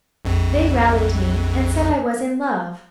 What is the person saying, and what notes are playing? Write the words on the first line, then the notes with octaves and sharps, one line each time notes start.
They rallied me, and said I was in love.
A#1 F2